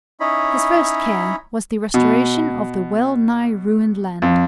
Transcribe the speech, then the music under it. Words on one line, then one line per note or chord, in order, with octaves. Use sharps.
His first care was the restoration of the well-nigh ruined land.
C#4 D#4 E4 C#5 D#5 B5
B2
F2